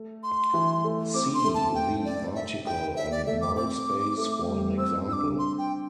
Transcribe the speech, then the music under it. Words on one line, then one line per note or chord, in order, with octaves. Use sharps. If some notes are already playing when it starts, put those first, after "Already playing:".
See the article on null space for an example.
Already playing: A3
C6
E3
A3
C4 D6
C6
A3
A5
G5
D5
E5
G5
E5
D5
A3 E5
D6
C4 D6
A3
G3
C4 E6
D4 D6 E6
C6
G5